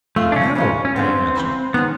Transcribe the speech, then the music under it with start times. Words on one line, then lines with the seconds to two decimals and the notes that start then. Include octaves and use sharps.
"But how?" I asked.
0.16 F3 G#3 A3 C4 F4
0.32 D4
0.36 C#4
0.55 C#3 F#3 A3 C#4 D4 F4
0.85 C#4
0.95 D3 F3 G#3 B3 C4
1.35 C#3 E3 G#3
1.74 D#3 G#3 B3 C#4